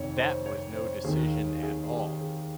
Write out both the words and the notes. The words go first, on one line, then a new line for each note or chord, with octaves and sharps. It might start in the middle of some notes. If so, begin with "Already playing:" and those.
That was no decision at all.
Already playing: F1 F2 D#3 C#5
C5
C#5
C5
D#2 D#3 G#4
G#4
G4
G#4